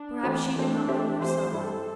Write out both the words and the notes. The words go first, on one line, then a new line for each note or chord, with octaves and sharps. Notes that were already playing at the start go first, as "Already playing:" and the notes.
Perhaps she did not know herself.
Already playing: D4
E3 A3 C4
E3 A3 C4 D4
E3 C4 G4 E5
E3 C4 G4 C5 E5
G2 G3 E4 A4